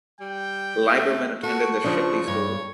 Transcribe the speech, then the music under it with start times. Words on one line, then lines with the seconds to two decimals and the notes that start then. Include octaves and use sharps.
Lieberman attended The Shipley School.
0.21 G3 G5
0.89 A3
1.43 F#4 A4 C#6
1.84 C#3 F3 D4
2.28 G2 C#5